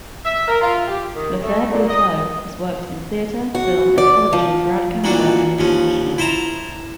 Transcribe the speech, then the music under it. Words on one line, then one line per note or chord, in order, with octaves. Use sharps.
Lothaire Bluteau has worked in theatre, film and television throughout Canada and internationally.
E5
A#4
F4
G4
D#3
A3
A#2
D#5
F#4
D5
F3
A#2 E3 A#3 D4 F#4
D#2 F3 C#4
E4 C5 A5 A#5